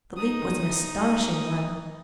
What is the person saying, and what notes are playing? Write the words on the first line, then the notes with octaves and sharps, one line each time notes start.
The leap was an astonishing one.
D#4 D#6